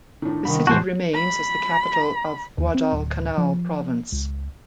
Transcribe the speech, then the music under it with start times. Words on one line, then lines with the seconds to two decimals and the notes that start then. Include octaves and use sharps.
The city remains as the capital of Guadalcanal Province.
0.22 A2 D#3 D4
0.45 C2 D#3 B5
0.67 E2 A2 E3 F#4 C5 A5
1.14 B5
2.58 D#2
2.75 C4
2.92 D1
3.38 F3
4.12 C#2